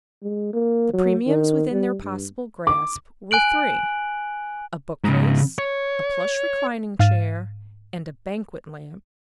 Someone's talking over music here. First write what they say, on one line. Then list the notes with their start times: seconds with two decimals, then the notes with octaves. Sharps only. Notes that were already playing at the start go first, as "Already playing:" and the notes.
The premiums within their possible grasp were three: a bookcase, a plush reclining chair, and a banquet lamp.
0.23 G#3
0.53 A#3
0.93 F#3
1.27 D#3
1.71 G3
2.03 G2
2.67 D6
3.31 G#5 F#6 D7 F#7
5.04 G#2 C#3
5.58 C#5
6.99 G#2 F5 F6 A6 D#7 E7